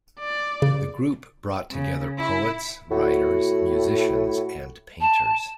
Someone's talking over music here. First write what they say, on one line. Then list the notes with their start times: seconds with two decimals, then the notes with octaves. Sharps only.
The group brought together poets, writers, musicians and painters.
0.19 D5
0.62 C#3
1.71 C#3
2.18 E4
2.91 A2 F#4
5.01 A5